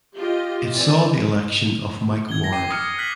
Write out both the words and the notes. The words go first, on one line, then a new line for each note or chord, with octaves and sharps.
It saw the election of Mike Ward.
F4 G4 D#5
E3 C4 D5 G#5
G#6 G7
G#6 A#6
G5 D6 C7 D#7
D#6 F6 C#7
F#6 B6 F#7